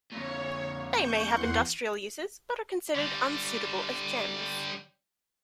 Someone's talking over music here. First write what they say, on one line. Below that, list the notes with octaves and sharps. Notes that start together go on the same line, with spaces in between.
They may have industrial uses but are considered unsuitable as gems.
F2 A#2 C#5
C#6 G6
E2 F#5 C6
D3 G3